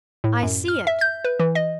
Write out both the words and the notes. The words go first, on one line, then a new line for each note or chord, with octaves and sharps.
I see it!
A2
F#2
F6
E5
G6
B4
E3
D#5